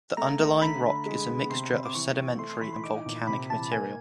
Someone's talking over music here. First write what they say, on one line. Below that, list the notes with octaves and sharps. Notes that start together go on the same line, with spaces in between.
The underlying rock is a mixture of sedimentary and volcanic material.
A3 A#5
A3
D3 B5
D3
G#3
B3
C3 C6
C3
D6
E3 C#6
C4
A3 C6
C6
E3 B5
C6
D#4 D6
A#2
C3 B5
E3 A5
A#3 G#5